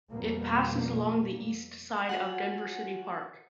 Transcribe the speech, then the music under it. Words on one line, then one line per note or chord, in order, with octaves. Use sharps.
It passes along the east side of Denver City Park.
F2 B2 G3 A#3
F#3 C#4 F4 F#5